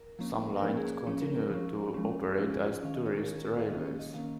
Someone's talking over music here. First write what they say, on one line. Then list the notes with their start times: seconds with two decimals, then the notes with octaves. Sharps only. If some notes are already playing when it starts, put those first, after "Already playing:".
Some lines continue to operate as tourist railways.
Already playing: A#4
0.19 F3 A#3 C#4
0.56 A#4
0.62 F3 A#3 C#4 C#5
0.77 G#4
0.92 G#4
1.07 F3 C#4 C#5
1.21 A#4
1.36 A#4
1.50 F3 C#4
1.94 F3 G#3 C#4
2.38 F3 G#3 C#4 F4
2.52 G#4
2.65 F4
2.83 D#3 C#4 F5
2.95 D#5
3.06 C#5
3.16 A#4
3.26 D#3 C#4 G#4
3.38 A#4
3.48 C#5
3.59 F5
3.70 D#3 A#3 C#4 D#5
3.85 C#5
3.99 D#5
4.14 D#3 A#3 C#4 F5